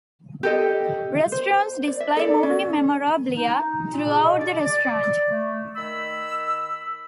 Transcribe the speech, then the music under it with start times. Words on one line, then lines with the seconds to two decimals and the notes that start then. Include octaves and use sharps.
Restaurants display movie memorabilia throughout the restaurant.
0.43 G4 A4 D#5
1.32 C5
1.88 D5
2.00 E5
2.17 A4 D5
2.43 C#4
3.36 D#4
3.90 A#2
4.05 C#3
4.20 B2
4.38 D5
4.64 D5
5.30 A3
5.76 D#3 B5 E6